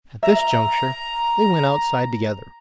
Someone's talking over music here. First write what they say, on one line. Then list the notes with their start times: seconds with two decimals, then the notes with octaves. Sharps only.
At this juncture they went outside together.
0.23 E5 A#5